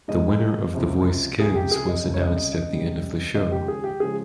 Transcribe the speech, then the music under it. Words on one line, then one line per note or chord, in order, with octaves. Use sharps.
The winner of The Voice Kids was announced at the end of the show.
G#2 F3 G#3 D#5
C#2 C3 F3
C#2 C3 F3 G#4
G4
G#4
D#5
C#2 C3 G3
C#5
D#5
D#5
D#5
C#2 C3 G3
D#2 C#3 F3 G#3 D#5
G4
G#4
G4
C#3 F3 G#3 G#4